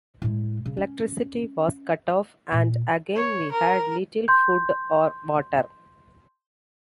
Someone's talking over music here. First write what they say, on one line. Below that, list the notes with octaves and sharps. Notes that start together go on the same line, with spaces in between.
Electricity was cut off, and again we had little food or water.
A2 G#3
C#3
C#4
A#2
C#5
A#4
C6 G6